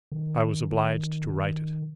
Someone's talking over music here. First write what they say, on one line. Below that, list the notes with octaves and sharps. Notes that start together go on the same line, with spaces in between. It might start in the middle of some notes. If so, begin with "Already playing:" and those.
I was obliged to write it.
D#3
D#3
D#3